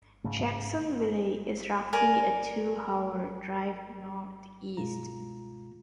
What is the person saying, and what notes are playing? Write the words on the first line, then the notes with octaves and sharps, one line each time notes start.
Jacksonville is roughly a two-hour drive northeast.
G#2 C#3 A3
A#4 D5 G#5
C#2 G2 B2 G#3 F4 A#5